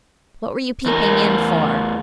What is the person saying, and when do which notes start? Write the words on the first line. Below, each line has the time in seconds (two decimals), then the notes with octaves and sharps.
"What were you peeping in for?"
0.86 E2 A#4